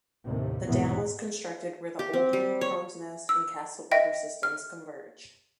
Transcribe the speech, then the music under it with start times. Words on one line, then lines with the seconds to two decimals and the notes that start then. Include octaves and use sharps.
The dam was constructed where the Oldman, Crowsnest, and Castle river systems converge.
0.25 A1 D#2 C3
0.67 B1 E2 G#2 C3 E3 B3
1.99 G4
2.13 C4
2.33 G3
2.61 C#5
3.29 E6
3.92 D#5 E5 G5 A#6
4.43 F6